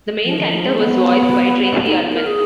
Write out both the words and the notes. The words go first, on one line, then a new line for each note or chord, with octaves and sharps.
The main character was voiced by Tracey Ullman.
F3
D#3
F3
G#3
B3
D#4
A#4
G#4